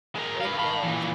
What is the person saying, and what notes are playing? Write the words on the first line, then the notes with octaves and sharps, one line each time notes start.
It does.
G#3 A#4
B4 F5
A5 B5
A#2 E3